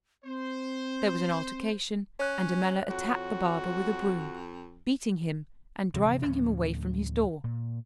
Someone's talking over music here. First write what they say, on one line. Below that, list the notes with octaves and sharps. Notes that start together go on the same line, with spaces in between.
There was an altercation, and Ammella attacked the barber with a broom, beating him and driving him away from his door.
C4 C5
C#4 C#5 F#6
F2 F#4
D#1 G2 C3 E3
D2 A2 F3 C#4
A#2